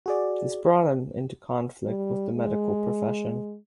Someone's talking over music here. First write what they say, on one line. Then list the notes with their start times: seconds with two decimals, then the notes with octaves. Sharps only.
This brought him into conflict with the medical profession.
0.06 F#4 G#4 D5
1.86 G3
2.35 G#3